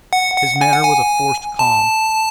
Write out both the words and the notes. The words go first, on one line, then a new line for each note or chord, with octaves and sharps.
His manner was a forced calm.
F#5
F#5
G#5
F#5
G#5
A5